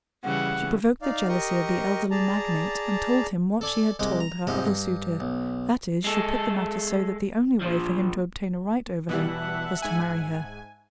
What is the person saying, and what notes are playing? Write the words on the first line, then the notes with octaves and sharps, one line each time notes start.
She provoked the jealousy of the elderly magnate and told him what she had told her other suitor; that is, she put the matter so that the only way for him to obtain a right over her was to marry her.
C#3 E3 G3 F#5
D#4 D5 F5
G4 A#4 D#5 C#6 D#6
G#4 D5 A5 A#5
A4 D5 G#5
C2 G#3 D#5 D6
A#5
G#2 C3 F3 D#5
G2
B1
G#3 A4
A#2 F3
B2 E3 G3 E5 F#5 A5
G#2 G#5